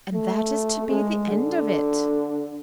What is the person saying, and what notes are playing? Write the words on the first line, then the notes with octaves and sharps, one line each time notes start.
"And that is to be the end of it."
A3
G#3
D3